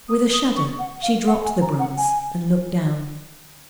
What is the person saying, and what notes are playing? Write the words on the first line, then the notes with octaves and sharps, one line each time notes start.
With a shudder she dropped the bronze, and looked down.
D#6
D#6
C#6
F#5
F5
F#5
G#5
A#5
F#5
G#5